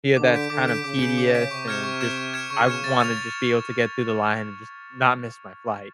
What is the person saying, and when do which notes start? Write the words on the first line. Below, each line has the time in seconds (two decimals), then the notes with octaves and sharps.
yeah, that's kind of tedious and just I wanna just be able to get through the line and just not miss my flight.
0.17 D3 D6
0.34 G6 B6 D7
0.50 D3 D6
0.68 G6 B6 D7
0.84 C#3 D6
1.00 G6 B6 D7
1.18 D6
1.34 G6 B6 D7
1.51 C3 C#6
1.68 F6 G#6 C#7 E7
1.84 C#6
2.01 F6 G#6 C#7 E7
2.18 C#6
2.34 F6 G#6 C#7 E7
2.50 C#3 C#6
2.67 F6 G#6 C#7 E7
2.84 A6
3.00 C#7 F7
3.17 A6